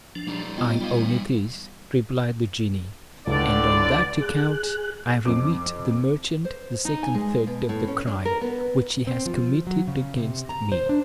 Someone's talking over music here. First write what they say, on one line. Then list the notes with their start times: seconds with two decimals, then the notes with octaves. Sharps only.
"I own it is," replied the genie, "and on that account I remit the merchant the second third of the crime which he has committed against me."
0.15 F3 D4
0.28 G3 D#4
0.58 B3 F4 D#5
0.80 G3 F5
0.98 E3 D#4
1.09 F#3
3.27 C#2 A2 D3 D5
4.20 G#4 F#6
5.25 F2 D6
6.45 C5
6.85 D#4
7.03 G#5
7.14 G#3
7.47 B2
7.69 A2
7.88 C#4
8.08 D4
8.25 A#4
8.41 B3
9.07 C4
9.26 F3
9.67 F#3
9.87 C#3
10.17 C3
10.49 A#5
10.72 C5
10.89 D4